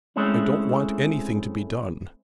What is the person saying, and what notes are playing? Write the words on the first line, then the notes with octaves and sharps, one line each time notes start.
I don't want anything to be done.
G#3 A3 C4 C#4 E4